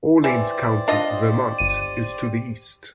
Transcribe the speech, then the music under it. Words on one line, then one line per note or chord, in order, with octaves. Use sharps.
Orleans County, Vermont, is to the east.
E3 G4 C5 D5
D4 F4 D#5
G1 D#7